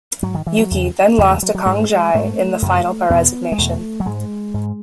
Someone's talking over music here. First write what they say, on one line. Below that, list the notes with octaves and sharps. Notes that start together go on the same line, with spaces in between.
Yuki then lost to Kong Jie in the final by resignation.
G#2 F#3
D#3
E3
F#3
E2 C#3
E2 C#3 G#3
A3
G#3
F#3
F#3
G#2 G#3
G#2 A3
F#2 C#3
E2 B2 B3
G#3
E2 B2 A3
F#3
G#2 G#3
G#2